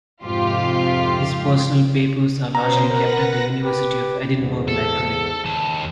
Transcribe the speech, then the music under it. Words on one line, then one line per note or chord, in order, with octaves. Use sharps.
His personal papers are largely kept at the University of Edinburgh library.
F2 G#2 C3 F4 G4
B2 B3 C#4 C5 A#5
A#4 B4 F#5 A#6
G4 B4
E2 G#2
A4
D#2 A5